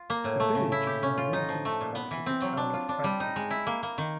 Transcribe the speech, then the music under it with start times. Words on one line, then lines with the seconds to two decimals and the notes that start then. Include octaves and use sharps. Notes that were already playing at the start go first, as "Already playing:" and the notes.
The village is in the northeast part of the town of Franklinville.
Already playing: F4
0.10 A#3
0.24 A2
0.40 A3
0.55 C#3
0.72 E4
0.87 G4
1.03 C#4
1.18 F4
1.33 D#4
1.49 F3
1.65 A3
1.81 A#2
1.95 B3
2.11 E3
2.26 C4
2.42 F#3
2.57 D4
2.74 F4
2.89 D4
3.04 G3
3.20 D#4
3.36 G#3
3.51 E4
3.67 A#3
3.83 A#3
3.98 D#3